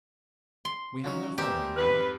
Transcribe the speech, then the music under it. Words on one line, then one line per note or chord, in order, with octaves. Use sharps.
We have no following--now.
C6
C#3 F#3 C#4 D#4 F#4 C#5
G3 B3 G4 G#4 A#4 C5 E5
F2 G#2 B4 F6